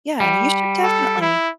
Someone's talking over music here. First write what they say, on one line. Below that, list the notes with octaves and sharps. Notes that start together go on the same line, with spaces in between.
yeah, you should definitely.
G3
A4
E4